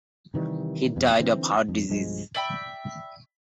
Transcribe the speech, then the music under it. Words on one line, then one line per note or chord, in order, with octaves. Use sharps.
He died of heart disease.
C3 D#3 E3 G3
E2 G2 B2
D3 E3 C4
F2
B1 G2 F3 G#3
D5 E5 G5 B5